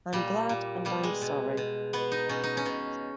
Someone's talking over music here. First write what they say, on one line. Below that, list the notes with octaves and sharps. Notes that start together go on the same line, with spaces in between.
I’m glad and I’m sorry.
A#2 G3
A#2
B2 G3
G#3
B2
B2
B2 B3
D#4
B2 C#4
D#4
C#4
B2